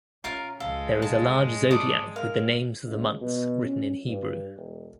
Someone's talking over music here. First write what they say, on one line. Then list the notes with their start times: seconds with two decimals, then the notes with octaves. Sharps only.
There is a large Zodiac with the names of the months written in Hebrew.
0.24 C#4 F4 A#4 F5
0.60 C#2 F3 G#3 A4 F5
1.02 B1 C#3 A5
1.37 G#1 F#3
1.71 A4 D5 D6 D#6
2.16 A#4 F5
2.87 C#2
3.21 B2
3.65 C#4
4.09 G2
4.56 E1